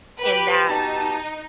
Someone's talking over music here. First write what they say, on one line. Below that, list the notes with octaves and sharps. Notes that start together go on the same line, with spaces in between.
and that
G4 B4
B2 D#4 G4 A5